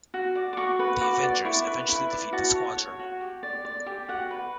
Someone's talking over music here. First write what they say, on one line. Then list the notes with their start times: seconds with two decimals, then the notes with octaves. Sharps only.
The Avengers eventually defeat the Squadron.
0.14 F#4
0.35 D5
0.53 D6
0.57 F#4 C#6
0.79 B4
1.01 F#4 D6
1.23 D5
1.45 E4 C#6
1.67 B4
1.88 E4 B5
2.11 D5
2.33 F#4 A5
2.55 C#5
2.77 C#5
2.99 F#4
3.21 G4
3.43 D5
3.65 D5
3.86 G4
4.08 F#4 F#5
4.31 B4